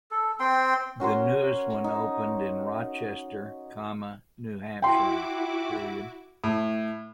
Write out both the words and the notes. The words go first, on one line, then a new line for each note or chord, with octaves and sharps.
The newest one opened in Rochester, New Hampshire.
A4
C4 G5 C6
C#4 F#4 A#4 C6
D#4
E4 F#4 G5 C6 D6
A2